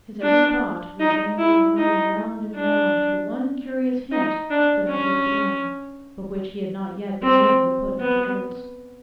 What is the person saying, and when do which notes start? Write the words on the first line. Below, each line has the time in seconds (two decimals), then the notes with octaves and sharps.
His every thought was vainly wandering round and round the one curious hint that had drifted in, but which he had not yet been able to put into words.
0.22 D4
1.00 D#4
1.38 E4
1.77 D#4
2.55 D4
4.11 D#4
4.50 D4
4.88 C#4
7.22 C4
8.00 B3